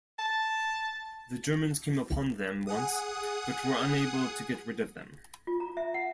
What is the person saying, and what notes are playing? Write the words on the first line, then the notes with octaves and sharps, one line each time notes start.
The Germans came upon them once but were unable to get rid of them.
A5
G#4 F#5 D#6
F4
A#5
E5
F#5